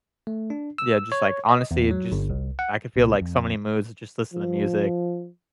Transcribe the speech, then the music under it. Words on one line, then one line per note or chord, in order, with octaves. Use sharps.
Yeah, just, like honestly, it just I could feel, like, so many moods just listening to music
A3
D4
E6
C#5
D#5
E2
F#3
G1
C2
F#5
C2 A#2
F2
F3